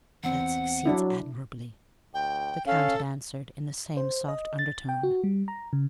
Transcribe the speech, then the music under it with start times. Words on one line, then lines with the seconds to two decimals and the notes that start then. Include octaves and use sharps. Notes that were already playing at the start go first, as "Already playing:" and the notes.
'That succeeds admirably,' the Count had answered, in the same soft undertone.
0.24 E2 C4 F#5
0.86 F#3 D4 E4
2.14 D2 G5
2.67 C#4 A4 F5
3.97 C5
4.28 D#5
4.59 A6
4.89 G5
5.03 F#4
5.24 G3
5.48 A#5
5.73 C#3